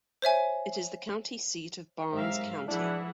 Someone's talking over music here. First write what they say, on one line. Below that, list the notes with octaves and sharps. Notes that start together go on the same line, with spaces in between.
It is the county seat of Barnes County.
C5 C#5 E5 G#5
G#2 C3 F#3 A#4 E5 F5
E3 F3 D4 E4 G#4 E5 F#5